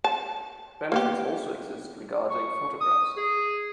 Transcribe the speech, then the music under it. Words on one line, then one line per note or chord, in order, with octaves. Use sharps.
Benefits also exist regarding photographs.
A5
A#3 B3 G4
C#6
D#6
G#4